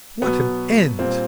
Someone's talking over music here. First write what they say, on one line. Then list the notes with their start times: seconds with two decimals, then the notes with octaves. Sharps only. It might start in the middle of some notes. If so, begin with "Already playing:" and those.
What an end!
0.22 B2 F#3 B3
0.99 A#2 G3 C4